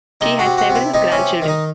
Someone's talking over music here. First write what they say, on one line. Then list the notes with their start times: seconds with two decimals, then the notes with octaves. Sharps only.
She has several grandchildren.
0.21 C3 D#4
0.39 F#4
0.45 C3
0.58 F#4
0.70 C3
0.75 E4
0.94 C3 D#4
1.12 C#4
1.18 C3
1.42 D#3
1.48 D#4